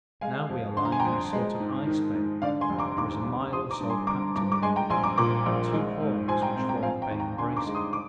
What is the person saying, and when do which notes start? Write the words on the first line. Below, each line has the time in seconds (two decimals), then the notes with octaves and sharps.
Now we are lying in a sort of ice bay--there is a mile or so of pack to windward, and two horns which form the bay embracing us.
0.21 G#3 F5 G#5
0.49 F2
0.77 D3 C6
0.85 A#5
0.92 G#5
0.99 G5 A#5
1.05 F2
1.33 G#3
1.60 G#2
1.87 D#3
2.15 G#2
2.42 D3 D5 F5
2.61 G#5 C6
2.70 F1
2.78 A#5 D6
2.97 D#2 A#5 D6
3.26 F1
3.53 F3 C6 D#6
3.71 A#5 D6
3.81 G2
3.90 G#5 C6
4.07 D3 A#5 D6
4.36 G2 A#5 D6
4.52 D6
4.62 G#3 G#5 C6
4.76 G5 A#5
4.90 A#1 G#5 C6
5.04 A#5 D6
5.18 A#2 A#5 D6
5.46 A#1
5.72 G#3
6.01 G#2
6.28 F3 G#5 C6
6.42 G5 A#5
6.56 C4
6.69 G5 A#5
6.83 F3 F5 G#5
7.02 G5 A#5
7.11 D#2
7.20 G5 A#5
7.38 D3 G#5 C6
7.57 A#5 D6
7.66 G#3
7.75 C6 D#6
7.93 D6